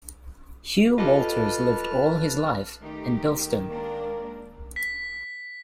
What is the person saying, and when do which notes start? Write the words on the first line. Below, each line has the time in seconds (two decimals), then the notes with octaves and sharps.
Hugh Walters lived all his life in Bilston.
0.98 F4 G4 A4 B4 D#5 A5 F6
2.81 D#3 A3 D#4 G4
3.70 G#3 A#3 D4 A#4
4.76 B6